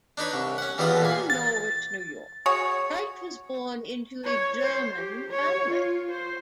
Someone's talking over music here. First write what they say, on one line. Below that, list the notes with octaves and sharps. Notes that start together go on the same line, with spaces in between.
Born in Norwich, New York, Bright was born into a German family.
D4 D#4 B4 C#5
C2
C#4 F#5
E2 E3 G3 B3 F4 D#6
A#2 G#5
A6
F#4 G#4 C#5
C#5
C5
G4
C#5
F4
C5